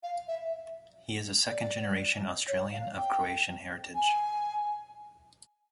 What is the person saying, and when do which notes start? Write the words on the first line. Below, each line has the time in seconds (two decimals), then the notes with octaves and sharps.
He is a second generation Australian of Croatian heritage.
0.03 F5
0.28 E5
1.50 D5
2.48 C#5
2.73 F5
2.97 G5
3.95 G#5